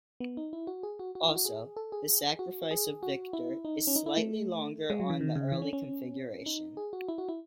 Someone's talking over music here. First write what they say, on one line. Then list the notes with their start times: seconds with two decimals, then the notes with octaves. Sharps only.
Also, "The Sacrifice of Victor" is slightly longer on the early configuration.
0.20 B3
0.37 D#4
0.53 E4
0.67 F#4
0.83 G#4
0.99 F#4
1.15 F#4
1.25 E4
1.36 F#4
1.45 G#4
1.77 A4
1.92 G#4
2.39 F#4
2.71 G#4
3.03 F#4
3.33 E4
3.65 D#4
3.87 C#4
3.96 D#4
4.06 E4
4.17 A3
4.90 G#3
5.00 F#3
5.10 E3
5.21 D#3
5.36 C#3
5.52 E3
5.62 C#4
5.73 C#4
6.46 D#4
6.77 G#4
6.93 F#4
7.09 E4
7.18 F#4
7.29 E4